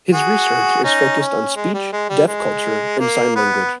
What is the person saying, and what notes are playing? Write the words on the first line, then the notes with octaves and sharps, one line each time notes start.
His research is focused on speech, Deaf culture, and sign language.
F#4 G#4
C#4 D#4
C#4
G#3
G3
G#3
G3
G#3
A#3
B3